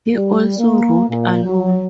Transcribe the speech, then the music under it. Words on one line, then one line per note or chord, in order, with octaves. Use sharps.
He also wrote alone.
G3
A#3
A#2
F#3